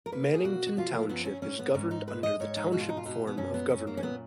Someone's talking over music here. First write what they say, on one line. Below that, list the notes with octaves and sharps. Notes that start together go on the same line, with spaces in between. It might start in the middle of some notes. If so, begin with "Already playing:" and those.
Mannington Township is governed under the Township form of government.
A#4
A#3 B4
G#4
B2 F#4
F#4
F3 F4
A#3
F#2 B3
C#4
G#2 C#4
B3
G#2 C#4
D#4
G#3 B4
D#5
G#2 C#5
D#4
B2 F#4
F4
D#4
F4
B2 D#4
B3
F#2 C#4
B3
F#2 C#4
A#3
C#4
A#2 B3